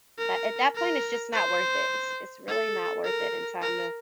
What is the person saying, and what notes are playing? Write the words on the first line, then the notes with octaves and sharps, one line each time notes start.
a at that point, it's just not worth it, it's it's really not worth it in time to
A#4
A#4
C5
A4
A#4
A#4